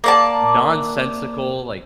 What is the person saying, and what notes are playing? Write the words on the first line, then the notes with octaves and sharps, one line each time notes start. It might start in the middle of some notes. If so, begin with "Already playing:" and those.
nonsensical, like
A#3 D5 A5